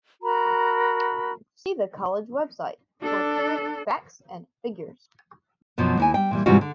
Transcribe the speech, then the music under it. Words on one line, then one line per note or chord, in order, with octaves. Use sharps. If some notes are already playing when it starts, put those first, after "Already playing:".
See the college website for current Facts and Figures.
F#4 A#4 A#5 B5
D4 A4
F#2 B2 F3 F#3
D#2 E4 G#5
G3 G5
A#2 E3 G3
G#2 C3 E3 G3 F4 F#4
D3